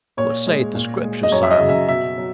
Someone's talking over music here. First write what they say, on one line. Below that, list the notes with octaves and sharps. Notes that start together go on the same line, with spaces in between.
What saith the Scriptur', Simon?
A#2 C#5
G#3
A#2
G#3
D#5
F#2 C#5
E5
D#5
C#3 F#3
E5
B2 E5
F#3